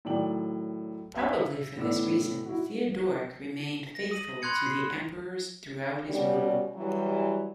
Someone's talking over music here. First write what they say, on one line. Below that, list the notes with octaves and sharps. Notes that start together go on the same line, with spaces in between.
Probably for this reason, Theodoric remained faithful to the emperors throughout his rule.
A2 D#3 F#3 D5 G5 F#7
E5 F5 E6 G#6 B6
A2 B3 D5 D6 E6
E4 F#4
A#6
D#6 D#7 F#7
B5 C6 F#6 G#6 C#7
C7
B2 G3 C#4 G4 D5
E3 F#3 G3